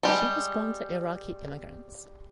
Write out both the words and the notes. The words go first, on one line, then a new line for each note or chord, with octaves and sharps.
She was born to Iraqi immigrants.
G3 G#3 G4